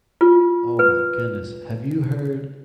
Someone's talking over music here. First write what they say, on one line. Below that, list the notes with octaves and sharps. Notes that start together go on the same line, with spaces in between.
Oh my goodness, have you heard
F4
B4